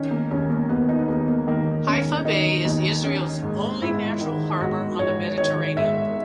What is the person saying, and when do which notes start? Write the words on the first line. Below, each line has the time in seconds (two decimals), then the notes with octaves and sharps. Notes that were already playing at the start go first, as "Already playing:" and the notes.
Haifa Bay is Israel's only natural harbor on the Mediterranean.
Already playing: D#3 C#4
0.11 A#3
0.31 D#2 C#4
0.50 A#3
0.69 D#2 B3
0.89 D#4
0.99 B3
1.08 D#2 A#3
1.28 A#3
1.47 D#3 A#3
1.87 D#2 C#4
2.25 D#3 D#4
2.65 D#2 D#4
3.04 D#3 C#4
3.42 G#2
3.82 G#2 E4
4.21 D#3
4.60 G#2 F#4
4.99 G#2 C#5
5.38 D#3 C#5
5.77 G#2 E5